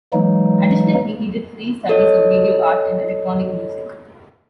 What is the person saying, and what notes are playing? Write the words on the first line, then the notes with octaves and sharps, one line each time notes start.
Additionally he did free studies of video art and electronic music.
E3 F#3 G#3 A#3 D#4
A4 C#5 D#5